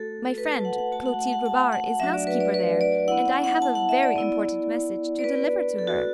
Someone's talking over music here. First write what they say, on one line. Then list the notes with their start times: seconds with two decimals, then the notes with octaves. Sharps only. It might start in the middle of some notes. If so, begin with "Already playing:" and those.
"My friend, Clotilde Robard, is housekeeper there, and I have a very important message to deliver to her."
Already playing: A3 F#4 A4
0.38 B4
0.52 A5
0.65 F#5
0.78 F#5
0.92 A3 F#4 A5
1.06 F#5
1.19 F#5
1.27 A5
1.33 F#5
1.46 A5
1.72 F#5
1.89 F#5
1.99 F#3 A3 D4 F#4 E5
2.13 D5
2.27 B4
2.40 D5
2.54 B4
2.81 D5
3.08 B3 E4 F#5
3.26 F#5
3.44 F#5
3.62 A5
3.75 F#5
3.89 E5
4.03 D5
4.16 B3 E4
5.19 D5
5.24 B3 D4 F#4 B4
5.79 A4
5.87 F#4